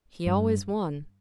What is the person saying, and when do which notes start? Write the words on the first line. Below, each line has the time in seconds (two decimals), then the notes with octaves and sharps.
"He always won."
0.26 G2